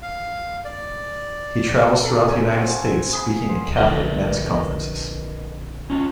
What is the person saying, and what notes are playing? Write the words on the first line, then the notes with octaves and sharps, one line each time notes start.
He travels throughout the United States speaking at Catholic men's conferences.
F5
D5
A4 A#4
C4 G#5
C4 F#4 F5
G#5 A5
G#4 B5
C6
A#1 D3 A#4 B4 D#5
C#4 F4